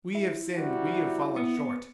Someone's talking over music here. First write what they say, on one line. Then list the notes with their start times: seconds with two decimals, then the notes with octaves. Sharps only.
We have sinned, we have fallen short.
0.15 E4
0.56 C3 G3 F#4
1.36 B3